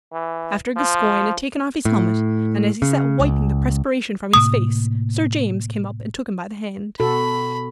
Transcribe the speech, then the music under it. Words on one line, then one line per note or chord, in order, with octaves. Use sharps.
After Gascoyne had taken off his helmet, and as he sat wiping the perspiration from his face Sir James came up and took him by the hand.
E3
F3
A2
C#3
C#2
A2 C3 A#3 D#6
B2 F#4 A4 B5